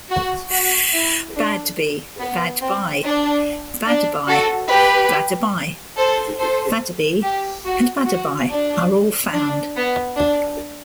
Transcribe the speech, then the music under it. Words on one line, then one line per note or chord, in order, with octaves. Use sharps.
Badby, Badbye, Baddebi, Baddeby, Badebi and Badeby are all found.
F#4
F#4
E4
D4
B3
C4
D4
D4
F#4 A4
G4 B4
A4 C5
A4 C5
G4
F#4
F#4
D4
D4
B3
D4